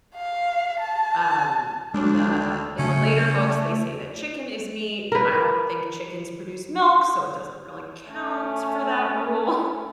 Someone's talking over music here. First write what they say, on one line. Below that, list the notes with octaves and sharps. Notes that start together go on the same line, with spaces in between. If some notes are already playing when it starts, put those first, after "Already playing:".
um, in the in the later books they say that chicken is meat, but I don't think chickens produce milk, so it doesn't really count for that rule.
F5
A5
D2 G#3 D4
C#3 A3 C#4
A#4 B4
A3 C#4